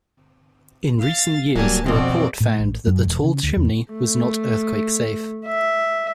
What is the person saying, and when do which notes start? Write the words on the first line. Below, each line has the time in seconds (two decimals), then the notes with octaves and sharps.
In recent years a report found that the tall chimney was not earthquake-safe.
1.00 F5 A6
1.55 D1 F#3 G3 A#3 G#5 A5
1.86 F2 B2 C4 F#4 D5
2.40 A2
2.59 A1
2.87 F#2
3.05 E1
3.24 C#3
3.43 D2
3.57 E2
3.92 A3
5.47 E5